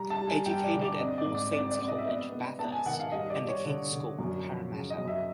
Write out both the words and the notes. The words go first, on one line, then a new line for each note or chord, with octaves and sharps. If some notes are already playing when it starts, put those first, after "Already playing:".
Educated at All Saints College, Bathurst, and The King's School, Parramatta.
Already playing: G3 A#5
A5
G3
G#5
G2 G5
D5
D3
D5
C4 D#5
D5
G#2
D5
C4 D5
D5
C4
D#5
E5
B3 D#5
B3
B3 A5
G#5
D#3 F#5
F5
G3 D#5
D5
G3
C#5
D3
D3
F#2
F3
C#3
D#5
F#2
E5